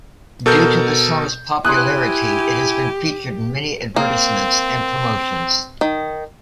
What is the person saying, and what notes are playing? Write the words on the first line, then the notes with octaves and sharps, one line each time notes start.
Due to the song's popularity, it has been featured in many advertisements and promotions.
B2 A4 A#4 G6
E4 G4 G#5 C6 D#6 F#6
A#3 C4
D#3